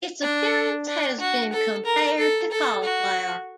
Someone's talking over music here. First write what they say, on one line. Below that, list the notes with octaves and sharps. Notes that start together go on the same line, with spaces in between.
Its appearance has been compared to cauliflower.
D4
D4
F#4
A4
A#4
A4
A4
F#4